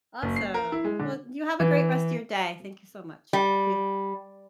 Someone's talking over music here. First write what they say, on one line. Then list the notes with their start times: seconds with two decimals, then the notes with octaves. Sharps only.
Awesome. Well, you have a great rest of your day. Thank you so much. Talk to you
0.22 F#1
0.36 C7
0.54 A#4
0.72 E4
0.84 G#3
0.99 D3
1.60 E3
3.33 G3